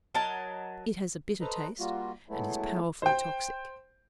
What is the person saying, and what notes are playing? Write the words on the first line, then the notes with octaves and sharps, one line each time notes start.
It has a bitter taste, and is powerfully toxic.
F#3 A#4 D#5 A5
A4 B4 C5 D#5 A#5
G3 A#3 F4 F#4
F#3 G#3 A3 B3 E4
C5 G5